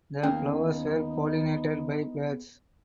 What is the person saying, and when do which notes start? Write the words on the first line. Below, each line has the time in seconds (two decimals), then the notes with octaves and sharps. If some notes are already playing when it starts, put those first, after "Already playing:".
The flowers are pollinated by birds.
0.23 D#2 A#3 B3 C#4 D#4